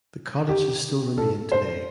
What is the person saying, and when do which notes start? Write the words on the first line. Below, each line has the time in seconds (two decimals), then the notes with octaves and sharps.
The cottages still remain today.
0.49 G4
1.18 A4
1.52 C5